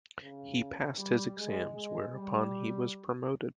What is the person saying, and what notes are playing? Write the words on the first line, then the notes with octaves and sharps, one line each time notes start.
He passed his exams, whereupon he was promoted.
C#3
G3
G#3
G#3
G3